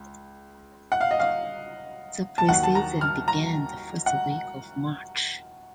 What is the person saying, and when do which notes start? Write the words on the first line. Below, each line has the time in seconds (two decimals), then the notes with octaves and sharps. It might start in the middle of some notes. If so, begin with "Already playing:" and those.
The preseason began the first week of March.
Already playing: C#2
0.92 F#5
1.01 F5
1.11 D#5
1.20 F5
2.38 A5
2.49 D#2 D#3 F#3 F#5
2.63 A5
2.75 A#5
3.01 F6
3.28 A#5
4.06 F#5